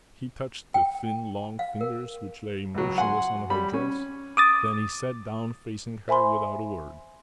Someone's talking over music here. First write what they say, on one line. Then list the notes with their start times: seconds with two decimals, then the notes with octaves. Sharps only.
He touched the thin, long fingers which lay motionless on her dress, then he sat down facing her, without a word.
0.74 G5
1.59 F5
1.81 A#4
2.75 C#2 F#3
2.98 F#5 G#5 C6
3.50 G3 B5
3.73 C#4
4.37 D6 D#6 A6
6.08 C5 E5 G#5 B5 C6